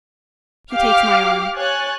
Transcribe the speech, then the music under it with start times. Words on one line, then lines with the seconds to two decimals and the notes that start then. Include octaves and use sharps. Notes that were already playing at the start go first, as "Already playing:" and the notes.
He takes my arm.
0.73 G4 F5 D6 F6
1.57 C#5 G#5 F#6 A6